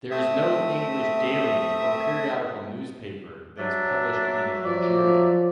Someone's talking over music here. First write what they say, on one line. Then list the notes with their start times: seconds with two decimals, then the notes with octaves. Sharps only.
There is no English daily or periodical newspaper that is published in Algeria.
0.11 A3 C4 E5 D#6
3.58 F#3 D4 E5
4.65 F3 D5